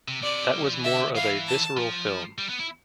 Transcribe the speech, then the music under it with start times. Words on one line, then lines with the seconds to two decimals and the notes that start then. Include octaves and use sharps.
That was more of a visceral film.
0.08 C3
0.23 C3 D5
0.52 G3
0.64 F3
0.73 E3
0.84 D3 E5
1.16 E3 F5
1.47 A5
1.77 F3
2.38 G3
2.49 B3
2.59 E4